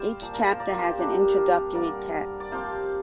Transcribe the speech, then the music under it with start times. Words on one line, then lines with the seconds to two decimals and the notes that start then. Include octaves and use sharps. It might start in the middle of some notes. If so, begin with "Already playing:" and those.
Each chapter has an introductory text.
Already playing: G3 C5 D5 F5
0.22 A#2 F3 A#3
0.34 A#4
0.47 C5
0.60 A#4 D5
0.79 G4 C5
0.98 C3 G3 A#3 D4 G4
1.37 F4 A#4
1.75 D3 G3 A#3 A#4 D5
2.40 D5
2.51 C3 F3 A#3 C5 F5